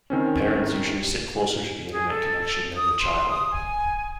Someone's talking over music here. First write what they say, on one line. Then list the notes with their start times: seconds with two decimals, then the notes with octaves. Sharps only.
Parents usually sit closer to the internet connection than the child.
0.10 D#3 C4 C#4
1.92 G#4
2.09 A4
2.76 D#6
3.00 C6
3.29 D#6
3.51 G#5